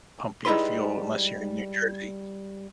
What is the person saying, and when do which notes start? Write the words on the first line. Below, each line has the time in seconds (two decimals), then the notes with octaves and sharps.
pump your fuel, unless you're in New Jersey.
0.45 G3 G#3 D#4 E4 B4 C6